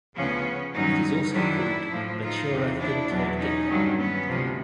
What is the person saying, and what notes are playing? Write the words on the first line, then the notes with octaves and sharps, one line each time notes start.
It is also called Batura thin-toed Gecko.
D2 C#3 F3 B3 C#4
G2 D#3 F#3 C#4 D#4
F#2 D#3 F#3 D4 E4
A2 F3
D#4 F4
E2 C3 E3
D4 E4
E2 B2 F#3
C#4 D#4
G2 D#3 F#3
B3 C#4
D2 C3 F3